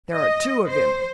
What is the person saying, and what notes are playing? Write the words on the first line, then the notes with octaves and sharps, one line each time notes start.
There are two of him.'
D#5
C5